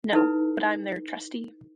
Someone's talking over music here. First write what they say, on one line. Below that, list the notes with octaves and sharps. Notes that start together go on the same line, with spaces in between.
No, but I'm their trustee.
D#4 E4 A4 B4